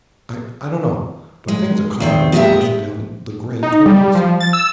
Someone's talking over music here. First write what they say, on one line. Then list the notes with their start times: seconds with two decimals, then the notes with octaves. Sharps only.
"I--I don't know, but I think it's a car of ore rushing down the grade toward us."
1.48 G#3
2.00 E2 D#3 C4
2.32 A#2 G3 G#3 B3 G4 E5
3.63 D#4
3.86 G3
4.15 F3
4.40 A6
4.53 E6